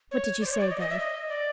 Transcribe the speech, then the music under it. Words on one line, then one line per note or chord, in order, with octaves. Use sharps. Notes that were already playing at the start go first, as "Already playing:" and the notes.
"What did you say, then?"
C#5
D5
C5
C#5
D5
D#5
D5
D#5
E5
D#5
D5